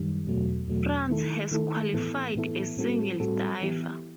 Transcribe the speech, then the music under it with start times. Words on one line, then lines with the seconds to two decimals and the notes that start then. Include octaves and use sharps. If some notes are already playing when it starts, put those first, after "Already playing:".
France has qualified a single diver.
Already playing: F#2 D#3 G3
0.25 E2 B2 F#3 A3
0.68 E2 B2 F#3 A3
1.10 D#3 A3 E4 A4
1.52 D#3 A3 E4 A4
1.93 A2 E3 B3 E4 A4
2.35 A2 E3 B3 E4 A4
2.77 A2 G3 C4 F#4 A4
3.20 A2 G3 C4 F#4 A4
3.62 E3 B3 E4 G4